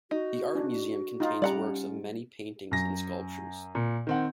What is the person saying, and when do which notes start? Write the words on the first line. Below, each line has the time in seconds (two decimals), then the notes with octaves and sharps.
The Art museum contains works of many paintings and sculptures.
0.11 D#4 F#4
0.55 D4
1.20 D#4 F4
1.42 G3 C#4 D5 F#5 A#5
2.71 F#2 A#6
3.75 A#2
4.07 D#3 C4 F#5